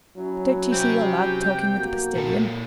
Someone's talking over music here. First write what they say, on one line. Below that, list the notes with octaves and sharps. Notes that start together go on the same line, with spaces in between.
"Don't you see your lad talking with the postilion?"
F#3 C#4 E4
C4 G4 G5
B1 A#3 F#4
A#2 A4